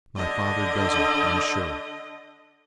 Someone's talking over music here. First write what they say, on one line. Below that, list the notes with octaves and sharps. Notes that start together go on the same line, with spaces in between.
My father doesn't, I'm sure.
D3 D#5